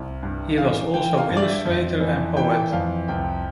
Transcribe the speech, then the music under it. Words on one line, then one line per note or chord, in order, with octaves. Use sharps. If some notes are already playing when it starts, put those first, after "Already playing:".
He was also illustrator and poet.
Already playing: C2
G2
E3 F5
E3 G5
F5
G2
D5
E5
F2
E3
E3 G5
F2 F5
C2 G5